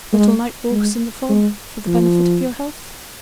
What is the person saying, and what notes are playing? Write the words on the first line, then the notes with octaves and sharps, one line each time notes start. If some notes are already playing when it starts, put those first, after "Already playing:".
"Little night walks in the fog for the benefit of your health?"
G#3
G#3
G#3
F3